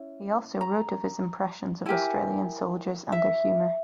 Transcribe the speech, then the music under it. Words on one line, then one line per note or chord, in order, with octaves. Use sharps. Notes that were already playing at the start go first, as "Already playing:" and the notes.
He also wrote of his impressions of Australian soldiers and their humour.
Already playing: C#4 E4
A#5
E4 G4 A#4 G#5
E5